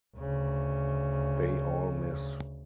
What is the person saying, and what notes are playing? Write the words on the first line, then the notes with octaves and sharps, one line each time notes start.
They all miss.
D2 C#3